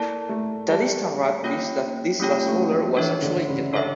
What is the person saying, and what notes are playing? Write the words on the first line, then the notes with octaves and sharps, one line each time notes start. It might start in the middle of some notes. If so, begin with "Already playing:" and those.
Taddesse Tamrat believes that this last ruler was actually Yetbarak.
Already playing: A#3 E4 A4 D5 A5
A3
G3 E4 A4 D5 A5
A#3 C#4 F4 C#5 G5
G3 A#3 C#4 F4 C#5 G5
A3
F3
E3 D4 A4 C#5 E5
D3
C#3
D4 A4 C#5 E5